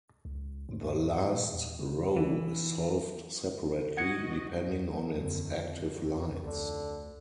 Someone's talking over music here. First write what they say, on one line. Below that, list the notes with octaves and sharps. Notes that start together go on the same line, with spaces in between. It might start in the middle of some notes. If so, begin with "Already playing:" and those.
The last row is solved separately, depending on its active lights.
C#2
G#2
G2
G2
A#2
E2
C#3
E3
F#4 D#5 F#5 G#6 C#7
E2
F#2 D3
F2
D2 D3